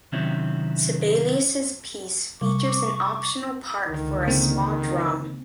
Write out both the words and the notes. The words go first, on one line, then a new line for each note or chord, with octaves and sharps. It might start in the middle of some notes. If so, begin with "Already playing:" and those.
Sibelius’ piece features an optional part for a small drum.
C3 D#3 F#3 C4 C#4 E4
C3 G3 C#6 D6
C#2 D3 D#3
C#3 A#3 C4